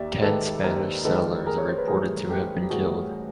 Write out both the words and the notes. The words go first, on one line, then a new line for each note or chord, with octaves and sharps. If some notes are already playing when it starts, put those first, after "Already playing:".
Ten Spanish settlers are reported to have been killed.
Already playing: D#2 D5 E5
D#3 G#3 A4 B4
D#2 A#4 C5
D#3 G#3 A4 B4
A1 G#4 A#4
C#5
C5
B4
A2 E3 G3 G#4 A#4
A1 G4 A4
G4
A2 E3 G3 F#4 G#4